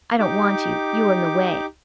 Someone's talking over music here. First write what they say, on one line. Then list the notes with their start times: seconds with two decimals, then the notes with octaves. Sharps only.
"I don't want you, you are in the way."
0.19 D#4 G4 D6